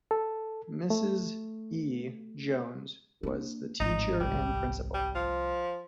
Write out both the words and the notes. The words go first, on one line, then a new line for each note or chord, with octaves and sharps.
Mrs. E. Jones was the teacher and principal.
A4
A3
A#3 D4
G#1 A2 F3 D#4
C2 G3
G3
F3